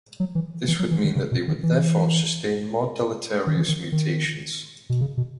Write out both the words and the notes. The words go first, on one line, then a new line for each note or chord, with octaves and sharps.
This would mean that they would therefore sustain more deleterious mutations.
F#3
E3
E3
F#3
E3
D#3
C#3
B2
D#3
E3
D#3
E3
D#3
D#3
B2
C#3
B2